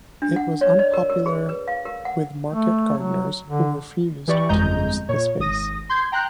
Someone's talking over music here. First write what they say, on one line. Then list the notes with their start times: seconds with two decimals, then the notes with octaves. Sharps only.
It was unpopular with market gardeners who refused to use the space.
0.22 D4
0.36 F#5
0.61 C#5
0.79 D5
0.94 A#4
1.10 A#4
1.26 G#4
1.49 B4
1.68 F5
1.85 A#4
2.05 F#5
2.54 A3
2.98 F#3
3.46 D3
4.27 E3 G4 D5 C#6
4.49 G1 F2 G#3 D#5 A#5 G6
5.09 A#2 C#5
5.39 G#1 D#6 A#6
5.89 C6 G6 G#6
6.12 G5 A#5 C6 F#6 G6